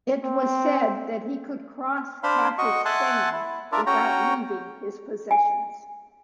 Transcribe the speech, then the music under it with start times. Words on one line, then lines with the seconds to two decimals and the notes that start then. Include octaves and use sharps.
It was said that he could cross half of Spain without leaving his possessions.
0.23 C4
2.23 D4 C5 F5 B5 C6
2.58 F#4 D#5 C#6
2.85 E5 F#5 G#5 A5 C6 F#6
3.33 E4
3.72 D4 F4 A#4 D5 E5
3.87 C#4 F#4 C#5 G5 A#5
5.31 G#5